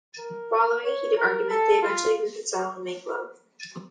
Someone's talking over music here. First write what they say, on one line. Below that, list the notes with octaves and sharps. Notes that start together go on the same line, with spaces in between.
Following a heated argument, they eventually reconcile and make love.
A#4
C#5
A#4
A4
F4